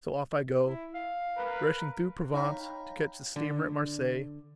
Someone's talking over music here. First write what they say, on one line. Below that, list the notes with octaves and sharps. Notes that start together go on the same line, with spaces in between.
So off I go, rushing through Provence, to catch the steamer at Marseilles.
E4
F5
A#4 B4
D#4 C#5 F5 G5 A#5 B5
D3